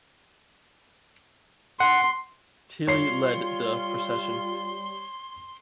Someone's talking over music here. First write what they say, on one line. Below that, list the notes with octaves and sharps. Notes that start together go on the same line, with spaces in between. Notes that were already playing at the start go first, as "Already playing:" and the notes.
Tillie led the procession.
F#5 C6
G3 F4 C#5 C6 C7